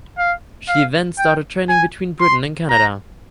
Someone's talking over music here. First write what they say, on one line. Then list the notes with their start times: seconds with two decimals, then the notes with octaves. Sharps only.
She then started trading between Britain and Canada.
0.18 F5
0.69 F5
1.19 G5
1.69 G#5
2.21 C6
2.70 A#5